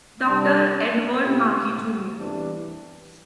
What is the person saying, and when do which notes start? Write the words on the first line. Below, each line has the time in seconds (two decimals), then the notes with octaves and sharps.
Dr. Edward Maki Jr.
0.27 C3 G3 D4
1.22 B2 A3 E4 G4
2.17 E2 C3 E3 G3 D4